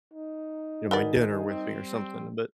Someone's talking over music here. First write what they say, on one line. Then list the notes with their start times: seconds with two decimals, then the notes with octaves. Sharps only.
you know, my dinner with me or something, but
0.14 D#4
0.91 D#3 F#4 G#4 A#4 B4 D5
1.47 G3 C4